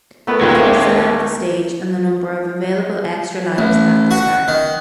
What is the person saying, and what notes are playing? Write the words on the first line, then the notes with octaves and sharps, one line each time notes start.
Players select the stage and the number of available extra lives at the start.
A3 B3 A#4 B4
A1 D#2 A#2 G#3
A#3
A1
F#4
D#3